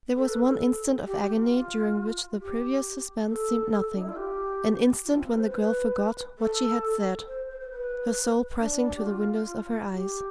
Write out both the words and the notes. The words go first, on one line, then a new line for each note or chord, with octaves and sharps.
There was one instant of agony during which the previous suspense seemed nothing--an instant when the girl forgot what she had said, her soul pressing to the windows of her eyes.
A4
B4
A4
G4
G4
F4
G4
A4
D4
E4
F4
G4
F4
C4
B4
C5
B4
A4
C5
C5
C5
B4
D4
G4
F4
G4